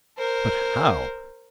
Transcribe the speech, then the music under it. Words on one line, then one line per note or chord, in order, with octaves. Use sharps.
But how!
A#4 C5